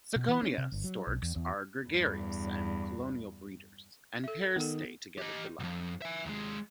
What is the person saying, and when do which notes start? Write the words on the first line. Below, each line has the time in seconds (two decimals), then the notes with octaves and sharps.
"Ciconia" storks are gregarious and colonial breeders, and pairs stay together for life.
0.16 B2
0.28 E3
0.42 C#4
0.58 C3
0.72 G1
0.84 F#3
1.07 B1
1.22 E2
1.36 E2
1.85 E2 G2
4.24 A4 E5
4.56 D#3 B3 A4
5.18 G4 D#5
5.60 B1 F2
6.02 E5 G#5
6.26 D#2 G#3